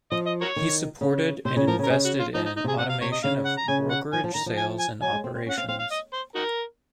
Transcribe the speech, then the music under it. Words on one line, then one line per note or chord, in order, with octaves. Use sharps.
He supported and invested in automation of brokerage sales and operations.
F3 D#5
D#5
F#4 A#4 C#5
D#3
C#3
C3 C5
C#3
F3 A#4
C#3
A#4
C#3 G#4
F#4
F4
F3 D#4
D#4
D#4
C3 G#4
C3 F#5
F5
C3 C#5
D#5
C#3 F5
F#5
A#5
C#3 G#5
F#5
F3 G#5
F3
D#3 A#5
F3
G#5
G#5
F#3 G#5
G#3
C4
C4
C#4
F#5
C4 F5
C4 F5
F5
D#5
C5
D#4 F#4 A#4